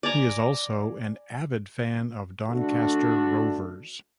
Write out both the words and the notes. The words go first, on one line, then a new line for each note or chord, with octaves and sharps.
He is also an avid fan of Doncaster Rovers.
D5 G#5 A#5
D3 A3 D4 F#4